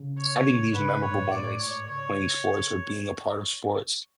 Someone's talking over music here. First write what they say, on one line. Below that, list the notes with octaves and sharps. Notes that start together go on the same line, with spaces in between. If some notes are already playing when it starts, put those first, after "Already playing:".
having these memorable moments playing sports or being a part of sports,
Already playing: C#3
C#5
C#3 B4
A2 C#5
A2 D5
G#2 C#5
C#3 C#5